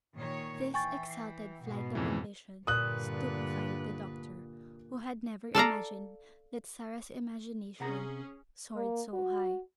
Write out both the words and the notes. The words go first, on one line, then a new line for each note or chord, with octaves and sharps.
This exalted flight of ambition stupefied the doctor, who had never imagined that Sarah's imagination soared so high.
A#2 D#3 C#5
E3 G5 G#5 C#6 A6
C7
G#2 B2
F2 C#3 E3
G2 A#2 D3 B4 D#6 F#6
A4 D5 F5 A#5
C3 C#4 G#4 F#5 A#5
A#3
F#4